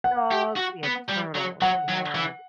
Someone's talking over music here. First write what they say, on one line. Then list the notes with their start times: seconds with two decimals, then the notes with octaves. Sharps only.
dogs, we had turtles, we had
0.04 F#5
0.31 G4
0.57 F#4
0.84 B3
1.09 G3
1.36 F#3
1.62 F#3 F#5
1.89 F#3
2.15 E3